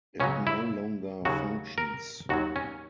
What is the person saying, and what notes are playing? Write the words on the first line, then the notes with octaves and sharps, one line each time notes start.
It no longer functions.
C#2 C#3 F#3 C#4
E4
D#2 C#3 F#3 F#4
A#4
D#2 D#3 F#3 F#4
C#4